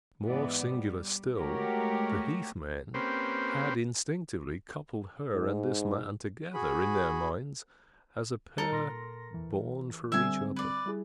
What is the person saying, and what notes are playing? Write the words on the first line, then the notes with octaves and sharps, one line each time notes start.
More singular still, the heathmen had instinctively coupled her and this man together in their minds as a pair born for each other.
G#2 E3 B3 D5
G3
G#3 A3 F#4 G4 A#4 C#5
A#3 C4 C#4 G4 B4 C5
G#2
F#4 G#4 B5
G3 D#4 A4 A#4
A#2 C6 A#6
E3
D3 G3 C4 E5 G#5
B4 D5
G3 E4 G#4